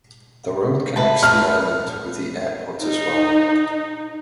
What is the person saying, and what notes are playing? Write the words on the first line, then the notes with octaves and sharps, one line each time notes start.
The Road connects the island with the airport as well.
E4 B4 A5
F6
D#4